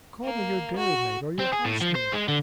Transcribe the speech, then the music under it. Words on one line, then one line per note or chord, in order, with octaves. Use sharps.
Call me your dairymaid or your housemaid.
A#3
F#4
C4
G#4
A2
F3
C5
G#3
D3